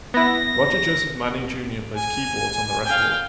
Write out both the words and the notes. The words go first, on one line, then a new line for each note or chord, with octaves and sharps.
Roger Joseph Manning Junior plays keyboards on the record.
B3 E4 A#6
G#5
F5 G5